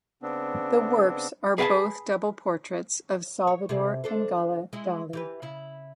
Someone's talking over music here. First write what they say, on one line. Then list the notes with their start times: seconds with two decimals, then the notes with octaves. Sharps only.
The works are both double portraits of Salvador and Gala Dali.
0.22 C#3 B3 C4 D4
1.58 G#4 B4 D5 F5 G#5 A5
3.47 C#5
3.69 C3 G4 G#4
4.04 D4 A4 C5
4.73 G#3 E4
5.13 E3 G4 B4
5.42 C#3 E4